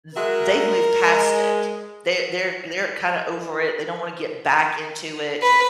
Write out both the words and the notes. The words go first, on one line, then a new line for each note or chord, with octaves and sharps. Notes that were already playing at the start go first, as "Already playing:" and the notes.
th they've moved past it. They they're they're kinda over it, they don't wanna get back into it,
F#3 G#3 A#4 E5
G#3
B4